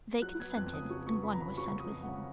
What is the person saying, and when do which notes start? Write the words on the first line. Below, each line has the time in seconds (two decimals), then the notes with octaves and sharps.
They consented, and one was sent with him.
0.22 F#3 F#6
0.39 B3 G#6
0.56 F2 F#6
0.73 C#3 D#6
0.90 F#3 C#6
1.06 B3 C#6
1.23 F2 B5
1.33 A#5
1.40 C#3 B5
1.57 F#3 C#6
1.74 B3
1.80 D#6
1.90 F2
2.03 F#5
2.08 C#3